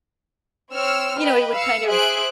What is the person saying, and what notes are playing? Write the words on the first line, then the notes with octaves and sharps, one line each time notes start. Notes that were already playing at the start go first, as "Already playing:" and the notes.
you know, he would kind of
C4 C#5 E6 F6
B4 D#5 G5
F5 E6 C#7
G#4 C5 E5 F#6 D7